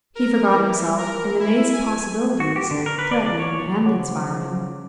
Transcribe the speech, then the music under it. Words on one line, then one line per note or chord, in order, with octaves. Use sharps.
He forgot himself in the maze of possibilities threatening and inspiring.
A#4
E3
A#4
E4
G#5
F#4
G4
D3
A#4
B4
D5
D5
C#5
C#3 F3 C#5 F#5 D6